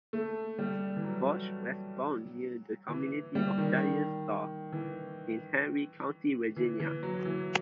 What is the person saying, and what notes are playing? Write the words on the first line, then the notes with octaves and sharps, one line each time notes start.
Burch was born near the community of Dyer's Store in Henry County, Virginia.
A3
G3
E3
F#3
E3
G3
D#3
E3
E3
E3
F#3
E3